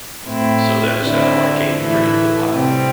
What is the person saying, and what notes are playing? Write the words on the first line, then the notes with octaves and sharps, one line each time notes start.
So that is how I came to forget the pie.
A2 A3 C4 E4
D3 C4 E4
A2 E3 A3 E4
C3 G3 C4